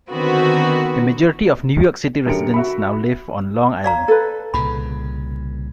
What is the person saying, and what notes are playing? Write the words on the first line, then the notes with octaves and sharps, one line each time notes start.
The majority of New York City residents now live on Long Island.
D3 D#3 B3 C4 F#4 B4
F#2 D3 G4 A#4 C#7 D7
F#4 E5 B5
D5 F5 A#5
A4 B4
C2 A#2 C#3 B5